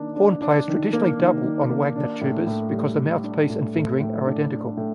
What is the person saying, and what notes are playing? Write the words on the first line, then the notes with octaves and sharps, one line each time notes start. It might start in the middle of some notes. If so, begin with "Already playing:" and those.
Horn players traditionally double on Wagner tubas because the mouthpiece and fingering are identical.
Already playing: D#3 A#3 D4
D4
D4
D#3
A#3
D#3
D#3
A#3
D4
A2
A2
G3
G3
D4
A2
A2
A2
D4
D4
A2